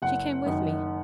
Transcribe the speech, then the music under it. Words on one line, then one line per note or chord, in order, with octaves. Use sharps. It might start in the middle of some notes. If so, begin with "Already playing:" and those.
She came with me.'
F#1 F#5
F#2 D#3